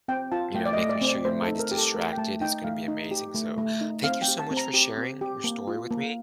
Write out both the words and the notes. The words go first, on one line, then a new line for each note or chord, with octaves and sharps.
you know, making sure your mind is distracted is gonna be amazing. So, thank you so much for sharing your story with me.
C4 G5
F4 A5
A3 G5
D5
D#5
A3
D5
C4
D5
A3 C5
A4
D#4
A#4
G4
A4
A3 A#4
G5
A3 A5
D#4 G5
A3 F5
D#4
G4
A3
A3
D#4
C4 F5
G5
G4
A5
C4
A#5
G4
C4
G4
A#3
F4
A#3